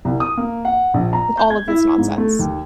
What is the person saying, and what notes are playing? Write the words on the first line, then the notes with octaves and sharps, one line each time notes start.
with all of this nonsense,
C2
D#6
A#3
F#5
A#1
A#5
G6
G#6
E4
G#2
A3
D#2